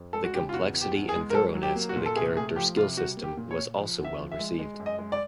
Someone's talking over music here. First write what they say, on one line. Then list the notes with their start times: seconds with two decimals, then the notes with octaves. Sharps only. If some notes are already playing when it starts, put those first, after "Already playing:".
The complexity and thoroughness of the character skill system was also well received.
Already playing: F2
0.13 G#3 A4
0.24 F#4
0.34 C#3 G4
0.49 F4
0.54 E2 F#4
0.74 E2
0.81 G4
0.94 E2
1.09 G#4
1.15 G#3
1.30 A#4
1.34 F#3 A4
1.55 F#3
1.63 G4
1.76 A#3
1.89 F#4
1.96 A#2
2.06 A4
2.16 C3 G#4
2.36 A3 G#4
2.56 F3 G4
2.76 C3 F4
2.97 G3 F#4
3.17 A#3
3.23 G4
3.37 A#2
3.51 C#5
3.58 A#2
3.77 F3
3.98 E2
4.04 E5
4.18 F3
4.32 E5
4.39 G#3
4.59 G#3
4.80 F#2
4.86 D#5
4.99 G#3
5.12 D5